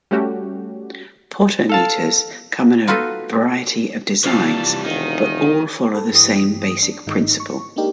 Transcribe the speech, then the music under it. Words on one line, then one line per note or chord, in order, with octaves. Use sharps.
Potometers come in a variety of designs, but all follow the same basic principle.
G3 A3 C#4 F#4 G4
A4 F5 A5
D#4 F4 F#4 A4 B4
C3 E3 F3 G3 F5 A5
E1 D#3 D#5
A4 B4
G2 E3 G4 D#6
D4
G1 G#2 D#3 G#3 D#4
C#6
G#3 A#3 D4 D#4 G4 A#4